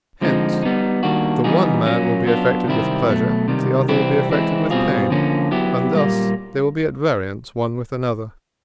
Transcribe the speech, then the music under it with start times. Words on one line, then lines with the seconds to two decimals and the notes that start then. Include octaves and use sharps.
Hence the one man will be affected with pleasure, the other will be affected with pain, and thus they will be at variance one with another.
0.21 D3 F3 G#3 C4 D#4
0.63 G3 B3 D#4
1.03 D#3 G3 A#3 D4 F#4
1.44 E3 G3 B3 D#4 G#4
1.86 A#2 F#3 A#3 C#4
2.26 F#3 B3 D4 F4
2.67 C3 D#3 G3 C4 E4
3.07 B2 F#3 A3
3.48 C3 D#3 G3
3.89 C3 E3 G3 C4 E4
4.29 E3 G#3 C4 E4
4.70 B2 G3 C4 F4 G#4
5.10 D3 F3 A#3 C#4
5.51 F#3 B3 E4 G4
5.93 A#2 G3 A#3